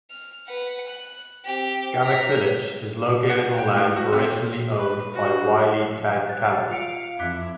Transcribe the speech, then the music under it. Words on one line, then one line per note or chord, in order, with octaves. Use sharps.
Cammack Village is located on land originally owned by Wiley Dan Cammack.
F6
B4 F#5
F#6
C4 G4
A#5 B6
F#5
G5
A2
F#4
C3
B4
F#4
F#6 A6
F4 F5 C#7 D7
F2 E4 D6 F#6 B6